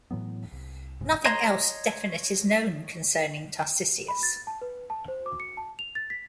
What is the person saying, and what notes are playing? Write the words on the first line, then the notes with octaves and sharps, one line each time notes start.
Nothing else definite is known concerning Tarcisius.
A2 E3 F#3 B3
C2
F1 C2 G#2 C#3
C#5 D#5 A#5 C6
B5
A6
A5
B4
A5
C5
D6
C#7
A5
F7
A6
B6